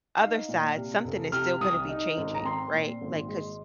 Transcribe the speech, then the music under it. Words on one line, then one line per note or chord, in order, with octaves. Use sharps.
other side, something is still gonna be changing, right, like, 'cause
D#4 F5
A#2
C3
F1
C3 F6
C2 D#6
D#4
G#1
A#5
C4 C6
A#2
G#1
G#3